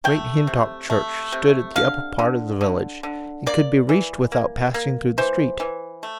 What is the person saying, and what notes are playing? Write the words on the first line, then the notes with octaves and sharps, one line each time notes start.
Great Hintock church stood at the upper part of the village, and could be reached without passing through the street.
A3 G5
C3
A3
C3
D3 F5
D3
D3
D3
A#3 D5
E3
A#3
A#3
E3 C5
E3
A3